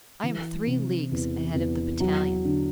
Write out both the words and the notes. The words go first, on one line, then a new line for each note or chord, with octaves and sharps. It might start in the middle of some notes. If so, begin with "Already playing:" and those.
"I am three leagues ahead of the battalion."
E3
C3
E2
E2
F#3
D3